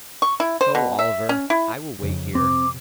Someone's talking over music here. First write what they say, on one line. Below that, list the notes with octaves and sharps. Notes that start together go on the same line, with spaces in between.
"Go, Oliver; I will wait here."
C#6
E4
C5
B2
E5
C#4
E4
F2 C#3
C3 C4 D6